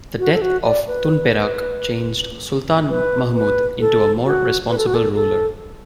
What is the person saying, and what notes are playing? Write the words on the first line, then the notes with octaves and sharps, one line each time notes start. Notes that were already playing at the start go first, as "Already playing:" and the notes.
The death of Tun Perak changed Sultan Mahmud into a more responsible ruler.
F#4
A4
F#4
D5
B4
B4
B4
A4
F#4
B4
A4
F#4
A4
A4